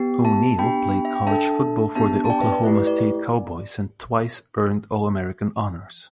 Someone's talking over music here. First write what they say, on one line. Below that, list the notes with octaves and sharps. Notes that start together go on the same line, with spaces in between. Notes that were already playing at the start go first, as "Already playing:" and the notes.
O'Neal played college football for the Oklahoma State Cowboys, and twice earned All-American honors.
Already playing: B3 G4 G5
E5 A5
B3 D4 G4 G5 B5
E5
G5
D4 A4 E5 A5
B3 D4 G4 E5 A5
A5
D5 G5
B4 E5
D5
A3 E4 G4 D5
B4
D5
D5